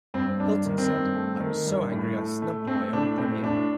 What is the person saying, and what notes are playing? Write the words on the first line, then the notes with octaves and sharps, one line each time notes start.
Hilton said, I was so angry I snubbed my own premiere.
G2 C4
G2 D4
D#3
C4
G2
A3
D#3
G2
A2
A3
A3
A3 C4
A2 D4
A2 C4
A2 D4